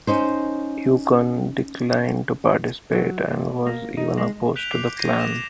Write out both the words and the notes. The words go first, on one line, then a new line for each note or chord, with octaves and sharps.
Ukon declined to participate and was even opposed to the plan.
C#4 D#4 C5
F#3
A#2
A#3
D#4
G#3
F#6 G6 B6 D7 F7 G7
D6 C7 F7
G6 G#6 A#6 C7 D#7
F#6 A#6 E7